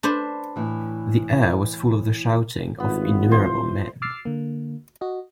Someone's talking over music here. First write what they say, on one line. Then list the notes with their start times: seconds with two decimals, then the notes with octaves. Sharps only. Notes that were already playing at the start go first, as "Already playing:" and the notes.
The air was full of the shouting of innumerable men.
0.03 D4 B4 C5
0.56 A2 E3
2.80 G#1 G3 B3 E4 F4
3.32 C5
4.02 D6 E6 F6 A6 C7
4.25 D3 A#3
5.01 F#4 D#5